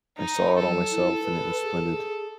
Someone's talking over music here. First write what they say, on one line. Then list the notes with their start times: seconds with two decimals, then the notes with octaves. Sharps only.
I saw it all myself, and it was splendid.
0.18 D#4
0.59 F#3 A4
0.91 E4
1.23 B4
1.63 G#4